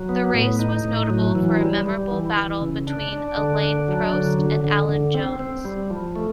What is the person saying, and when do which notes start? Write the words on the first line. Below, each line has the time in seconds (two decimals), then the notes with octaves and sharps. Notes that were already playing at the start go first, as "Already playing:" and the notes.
The race was notable for a memorable battle between Alain Prost and Alan Jones.
Already playing: F#3
0.09 B3
0.34 A2
0.59 D#4
0.85 A2
1.10 F#3
1.35 E3
1.61 G3
1.86 G3
2.11 E3
2.37 E3
2.62 C#3
2.87 D4
3.13 D4
3.37 D3
3.63 D4
3.88 F#3
4.13 D3
4.39 D3
4.64 D3
4.89 D3
5.14 C4
5.39 C4
5.65 G3
5.90 F3
6.16 A3